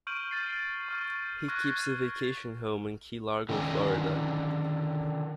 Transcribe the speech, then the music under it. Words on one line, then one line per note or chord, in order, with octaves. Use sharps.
He keeps a vacation home in Key Largo, Florida.
C#6 F6 G6 D7 D#7 F#7
F6 A6 C7
C#6 F6 G6
C#6 F6 F#6 G#6 A#6
D3 D#3 C#4 D#5